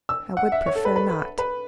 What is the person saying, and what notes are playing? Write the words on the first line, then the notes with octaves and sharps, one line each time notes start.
"I would prefer not."
E6
F#5
E5
C#5
A4
B4
B4
B4
B4